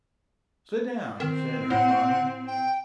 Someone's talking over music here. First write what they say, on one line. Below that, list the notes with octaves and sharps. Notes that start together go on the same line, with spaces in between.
"Sit down!" said her father.
D#3 C4
A2 F#5
G5